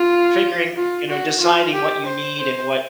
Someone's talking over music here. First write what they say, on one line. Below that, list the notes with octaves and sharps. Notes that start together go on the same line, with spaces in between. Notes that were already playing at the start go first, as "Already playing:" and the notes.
figuring you know, deciding what you need and what
Already playing: F4
F4
F#4
F4
G4
C5
C5